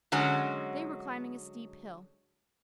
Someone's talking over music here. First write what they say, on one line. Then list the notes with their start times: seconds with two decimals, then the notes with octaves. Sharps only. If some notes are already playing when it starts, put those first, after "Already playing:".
They were climbing a steep hill.
0.12 D3 F#3 G#3 C#4